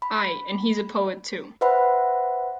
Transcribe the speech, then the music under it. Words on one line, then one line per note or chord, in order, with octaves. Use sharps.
Ay, and he's a poet too.
B5
B4 C5 E5 F#5 B5